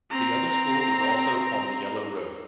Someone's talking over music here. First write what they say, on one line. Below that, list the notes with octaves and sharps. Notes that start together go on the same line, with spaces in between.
The other school was also on the Yellow Road.
C4 A#5